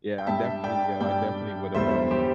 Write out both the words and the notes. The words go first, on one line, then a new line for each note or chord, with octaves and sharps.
yeah, I definitely yeah, I definitely would've, um
G5
G2 G3 E5 A5
D5 G5
G2 G3 D5 G5
E2 D3 G3 C5 E5
G4 C5